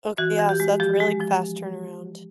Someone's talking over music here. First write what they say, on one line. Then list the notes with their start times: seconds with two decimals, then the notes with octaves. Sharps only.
Ok yeah, so that's a really fast turnaround.
0.18 E3 F#4
0.39 E3
0.49 G4
0.60 G#3
0.80 F3 G4
1.00 G#3
1.20 F3